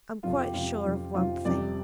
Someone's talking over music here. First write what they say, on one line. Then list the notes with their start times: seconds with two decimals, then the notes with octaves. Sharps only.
I'm quite sure of one thing.
0.23 F2 C3 F3 F4
0.39 G4
0.54 F2 C3 F3 F4
0.85 F2 C3 F3
1.14 F2 C3 F3 F4
1.45 F2 C3 G3 D5